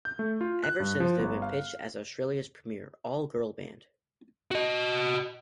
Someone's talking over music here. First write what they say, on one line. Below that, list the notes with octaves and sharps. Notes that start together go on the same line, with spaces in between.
Ever since, they've been pitched as Australia's premier all-girl band.
G6
A3
F4
F#6
G2
F3
G1
F5
F#4 D#5